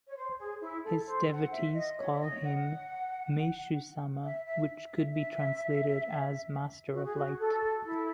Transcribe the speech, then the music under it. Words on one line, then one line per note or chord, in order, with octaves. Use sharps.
His devotees called him "Meishu-sama", which could be translated as 'Master of Light.
C#5
C5
G#4
E4
A4
C5
F#5
E5
D#5
C#5
E5
D#5
F#5
E5
E5
E5
E5
F#4
G#4
F#4
A4
E4